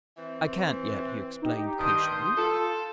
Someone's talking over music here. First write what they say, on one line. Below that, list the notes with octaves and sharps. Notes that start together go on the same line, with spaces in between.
"I can't yet," he explained, patiently.
E3 C4
D#4 G4
G2 D#3 C6 D#6 G6
F4 A4